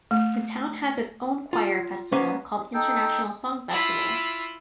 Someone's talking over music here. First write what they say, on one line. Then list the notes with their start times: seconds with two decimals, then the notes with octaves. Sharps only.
The town has its own choir festival called international song festival.
0.11 A3
1.53 F4
2.12 A#3 B3 C#4 D#4 B4 C5
2.74 D#4 A4 G5
3.70 E4 F4